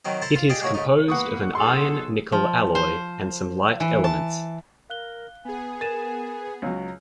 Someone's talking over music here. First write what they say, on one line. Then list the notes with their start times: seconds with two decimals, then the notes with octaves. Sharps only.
It is composed of an iron-nickel alloy and some light elements.
0.05 D#3 F#3 C4 D#4
0.22 E4 A4 C5 A5 A#5
0.36 F4
0.49 G4 G#4 D5 D#5 F5
0.61 G#3 A#3 F#4 C#5 E5
0.74 G#2 C#3 A3 D#4
1.08 E2 G#2 A#3 B4 F#5 C#6 D#6
1.55 B1 G#4 A4 C6
2.32 F3
2.75 C5
3.80 E3
4.04 A5
4.90 A#4 F5 F#6 G7
5.45 B3 G#4 G#5
5.81 A#4 A6 D#7 E7
6.62 C#2 F#3 C#5 A#5